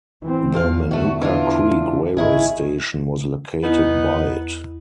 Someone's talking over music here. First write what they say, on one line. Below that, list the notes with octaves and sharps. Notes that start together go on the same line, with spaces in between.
The Manuka Creek Railway Station was located by it.
E3 C4
E2 F3 F5
E2 D3 A3 F#4
E3 D4 F4
G#1 D#3 E4 G#4
E2 B3 D#4 E4